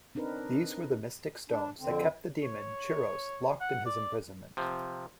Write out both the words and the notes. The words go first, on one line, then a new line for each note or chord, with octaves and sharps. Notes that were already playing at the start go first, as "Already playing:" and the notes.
These were the mystic stones that kept the demon Chiros locked in his imprisonment.
C4 D4 D#4 A#4 B4
D4
F2 D3 C4
C#5
F#5
D5
C3 F3